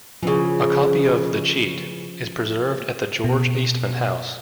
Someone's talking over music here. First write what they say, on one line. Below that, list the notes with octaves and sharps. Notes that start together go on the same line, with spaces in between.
A copy of "The Cheat" is preserved at the George Eastman House.
C#3 E3 F3 C#4
B2